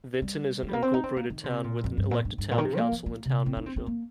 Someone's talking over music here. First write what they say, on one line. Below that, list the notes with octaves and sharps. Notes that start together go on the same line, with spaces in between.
Vinton is an incorporated town with an elected town council and town manager.
G3
C4
G3
A#3
C4
D#4
C4
A#3
D#3
C3
A#2
F2
G2
A#2
G2
G2
A#2
D#3
C3
A#3
F3
A#3
C3
C4
D#4
C4
C4
A#3